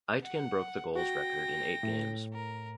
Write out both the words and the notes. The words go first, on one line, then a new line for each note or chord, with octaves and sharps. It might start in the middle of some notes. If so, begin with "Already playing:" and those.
Aitken broke the goals record in eight games.
F#5
F#4 G5 A#6
A2
A#4